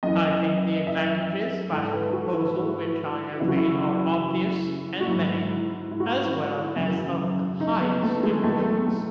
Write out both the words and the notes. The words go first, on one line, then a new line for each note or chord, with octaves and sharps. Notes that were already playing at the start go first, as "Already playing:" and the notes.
I think the advantages by the proposal which I have made are obvious and many, as well as of the highest importance.
F#2 E3 D#5
E5
G#2 E3 A4
B4
F#4
E4
F#4
F#2 C#3 E3 E4
F#4
E4
F#4
G#2 F#3 E4
E4
F#4
E4
F#2 C#3 F#3
D#4
B3
A3
G#3
E2 B2 F#3 A3
A3